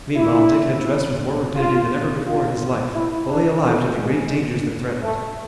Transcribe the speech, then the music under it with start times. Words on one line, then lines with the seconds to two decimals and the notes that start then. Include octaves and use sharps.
Meanwhile Dick had dressed with more rapidity than ever before in his life, fully alive to the great dangers that threatened.
0.15 E4
1.56 F4
2.24 F4
2.94 E4
3.29 D4
3.63 A3
3.98 G#3
5.03 A3